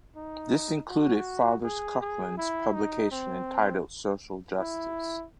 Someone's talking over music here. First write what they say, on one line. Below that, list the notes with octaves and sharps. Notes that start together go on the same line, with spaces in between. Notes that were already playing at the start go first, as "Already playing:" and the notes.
This included Father Coughlin's publication entitled "Social Justice".
D#4
F#4
G#4
G#4
E4
D#4
C4
E4